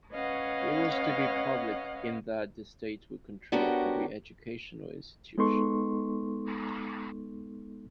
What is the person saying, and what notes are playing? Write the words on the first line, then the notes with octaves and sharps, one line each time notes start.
It was to be public in that the state would control every educational institution.
C#4 B4 C#5 D#5 F5 F#5
B3 D4 F#4 G4 A#4 C#5
G#3 B3 D#4 A4 C6 C#6